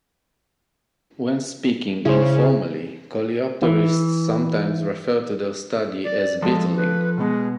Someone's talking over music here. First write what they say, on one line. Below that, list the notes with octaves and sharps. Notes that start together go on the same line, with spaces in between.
When speaking informally, coleopterists sometimes refer to their study as "beetling".
C#3 E4 G#4 C5
E3
D5
F3 G#3 A4
B4
B2 G#3 B3